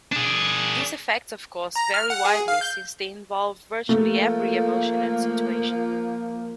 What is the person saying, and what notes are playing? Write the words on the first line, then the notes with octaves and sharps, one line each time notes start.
These effects of course vary widely, since they involve virtually every emotion and situation.
D4 G#4
A#5
F6
F#5
G#4
F5
G6
F3 A3 A#3